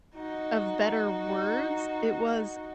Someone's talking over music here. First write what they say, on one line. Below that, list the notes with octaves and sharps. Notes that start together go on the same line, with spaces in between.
of better words, it was
D#4 F#4